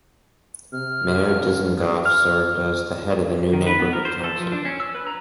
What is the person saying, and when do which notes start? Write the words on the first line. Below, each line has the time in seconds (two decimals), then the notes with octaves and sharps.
Meir Dizengoff served as the head of the new neighborhood council.
0.72 C3 F6
1.19 A1
2.05 F6
3.53 D#3
3.67 B4
3.79 B3
3.93 A#4
4.05 C5
4.24 A4
4.37 F3
4.52 D4
4.65 C#4
4.80 E6
4.95 B4
5.07 A#5